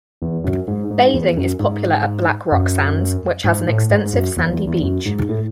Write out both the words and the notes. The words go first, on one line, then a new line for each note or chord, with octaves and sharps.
Bathing is popular at Black Rock Sands, which has an extensive sandy beach.
E2
F#2
G#2
G#2
E2
F#2
G#2
F#2
G#2
A2
G#2
F#2
E2
E2
E2
F#2
G#2
A2